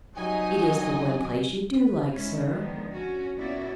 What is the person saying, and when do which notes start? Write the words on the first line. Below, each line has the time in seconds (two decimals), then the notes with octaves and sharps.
"It is the one place you do like, sir."
0.16 C3 F#3 G3 D#4 D#5 G#5
1.76 B4
2.13 G#2 C#4 E4
2.46 D3 D#3 F3 G#3 B3
2.94 C#4 F#4
3.37 A#2 B3 C#4 E4 F#4 D5